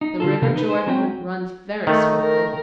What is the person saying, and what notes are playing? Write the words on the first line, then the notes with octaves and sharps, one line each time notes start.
The River Jordan runs very swiftly.
D#4
D3 F4 A4
C3 E3 B3 A4 A#4 F5
D#4 B4
C5 G#5
F#3 C4 C#4 F#4 G5
D#3 A3
A#4